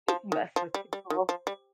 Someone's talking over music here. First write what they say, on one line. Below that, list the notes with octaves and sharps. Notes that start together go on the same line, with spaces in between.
Just mess with people.
F3
D#3
F3
G3
G3
D#3
F3
G3